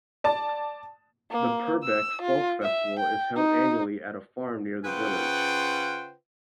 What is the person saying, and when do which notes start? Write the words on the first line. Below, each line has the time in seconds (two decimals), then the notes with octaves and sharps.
The Purbeck Folk Festival is held annually at a farm near the village.
0.24 D5 A5
1.31 A#3
1.83 E6
2.22 F4
2.62 E5
2.99 G5
3.36 D#4
4.85 C#3 F4 B4 C5 F#5 G5